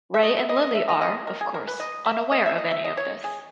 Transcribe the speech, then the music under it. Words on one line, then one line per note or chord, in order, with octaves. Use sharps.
Ray and Lily are, of course, unaware of any of this.
E5
D#5
E5
D#5
D#5
E5
D#5
D#5
A#4
G#4
A#4
B4
D#5
E5
D#5
E5
D#5
E5
D#5
C#5
G#4